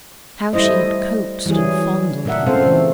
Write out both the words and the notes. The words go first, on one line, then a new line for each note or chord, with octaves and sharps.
How she had coaxed and fondled him!
G3 A3 E4 C5 D#5
E3 F#3 G3 E4 G#4
A#2 D4 A#4 E5 F#5
C#3 A3 C4 A4 C5 F5
E3 A3